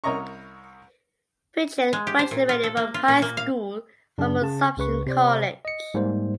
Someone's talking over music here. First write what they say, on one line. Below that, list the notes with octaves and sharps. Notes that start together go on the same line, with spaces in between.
Pichet graduated from high school from Assumption College.
C2 A#4 C#5 D#5 A#5 C#6
G#3
G4
C5
A#2
F4
A4
A#3
F4
A#2
A#3
F5
F#2 C#3 D4
C#3 A5
C#2 C#3 B4 C#6
C3 C5 D5
D#5 C#7
G#2 G3 A#3 C5